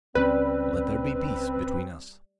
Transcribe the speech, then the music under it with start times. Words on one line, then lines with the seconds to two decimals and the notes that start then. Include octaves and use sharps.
Let there be peace between us.'
0.15 C#2 G3 A3 C4 C#4 B4